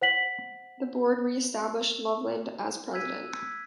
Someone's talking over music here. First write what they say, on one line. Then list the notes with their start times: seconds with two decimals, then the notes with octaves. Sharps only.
The board re-established Loveland as president.
0.02 C5 F#5 B6 F#7
2.93 E6 F#6 G#6 B6 D#7